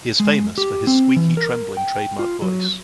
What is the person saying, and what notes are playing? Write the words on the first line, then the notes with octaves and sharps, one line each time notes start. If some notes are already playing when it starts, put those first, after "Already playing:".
He is famous for his squeaky trembling trademark voice.
G#3
G4
C4
E3
A#4
G5
F4
F#3